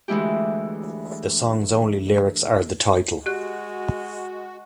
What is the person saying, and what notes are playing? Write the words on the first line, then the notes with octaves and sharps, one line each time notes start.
The song's only lyrics are the title.
D2 E3 G#3 E4 G4
G#3 F#4 G4 F#6